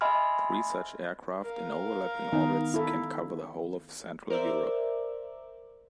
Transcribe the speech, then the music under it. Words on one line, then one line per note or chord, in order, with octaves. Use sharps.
Three such aircraft in overlapping orbits can cover the whole of Central Europe.
D#5 E5 G#5 B5 C6 F6
A#4 F5
D#3 B3 D#4
E4 A4
A#4 C5 D5 E5